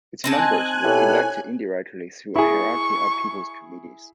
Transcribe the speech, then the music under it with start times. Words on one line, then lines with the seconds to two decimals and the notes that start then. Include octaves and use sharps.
Its members were elected indirectly through a hierarchy of people's committees.
0.24 C4 D#4 G#5 A5 F#6
0.84 B2 E4 G4 A4 C#5
2.36 E4 G#4 C#6